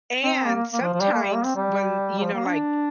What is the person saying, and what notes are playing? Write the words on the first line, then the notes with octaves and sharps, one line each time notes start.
and sometimes when, you know, like,
C4
C4
A#3
A#3
A#3
F3
F3
G3
A#3
G3
A#3
C4
G3
G3
F3
A#3
D4